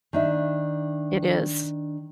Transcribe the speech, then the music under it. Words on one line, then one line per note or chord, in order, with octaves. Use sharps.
It is.
D#3 D4 E5